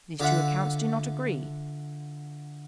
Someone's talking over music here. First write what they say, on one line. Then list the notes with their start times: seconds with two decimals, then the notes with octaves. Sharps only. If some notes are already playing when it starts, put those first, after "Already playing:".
These two accounts do not agree.
0.20 D3 F4 E5 F#5